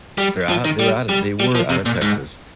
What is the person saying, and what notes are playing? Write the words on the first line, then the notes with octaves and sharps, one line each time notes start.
they're out they were out of they were out of Texas,
G3
F3
D#3
G3
G3
G3
F3
C3
A#2
G#2